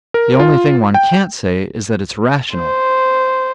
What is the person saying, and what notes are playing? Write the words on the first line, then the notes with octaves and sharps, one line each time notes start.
The only thing one can't say is that it's rational.
A#4
F4
G5
C5